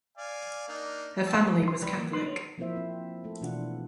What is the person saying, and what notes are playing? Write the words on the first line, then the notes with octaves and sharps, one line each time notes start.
Her family was Catholic.
D5 F5 G#5
A#3 D4 D#4
G5 A5 E6
C6
C#2 G3 B4
A2 E3 A#3
F#3 D4 D#4 B4 C6
C#5
F3 A#3 C4 E4 C5 E5
C4
A3 A4
B2 E3 D4 F4 F#5